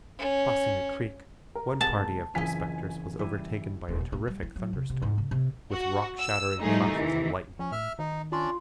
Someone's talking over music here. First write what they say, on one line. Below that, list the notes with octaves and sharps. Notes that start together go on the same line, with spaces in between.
Crossing a creek one party of prospectors was overtaken by a terrific thunderstorm, with rock-shattering flashes of lightning.
C#4
A#4
C3 G#3 F#5 A5
F#1 E3 C4 F4 G#4 D#5 G#5 B6
E3 G3 E4 D#7
D#1
A#2
A#2
G3
E4
F#3
C3
C3
G#2
C#3
C3
F#4
E6
A2 F3 G3 A3 D#4 G#4
C3 D#3 E3
F3 C#4
A2 E5 F6
D#3 D#4
C#4 D4 F4 D5 C6